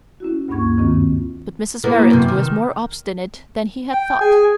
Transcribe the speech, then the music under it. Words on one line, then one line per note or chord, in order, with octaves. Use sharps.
But Mrs. Merrit was more obstinate than he had thought.
C#4 E4 F#4
D2 G2 A#3 D4 C#6 G#6
F#2 D#3 C4 F4
A#3 B3 E4
F#2 C3
D#3
G5
G#4 G#5